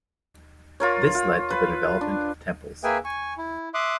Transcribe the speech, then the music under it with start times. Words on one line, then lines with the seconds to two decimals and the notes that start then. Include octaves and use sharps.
This led to the development of temples.
0.80 F4 A#4 C#5
1.15 F4
1.50 B4
2.01 D4
2.84 A#3 G#4 B4 E5 G5 G#5
3.05 G#5 C#6
3.38 E4
3.74 E5 C6 D6 D#6 F#6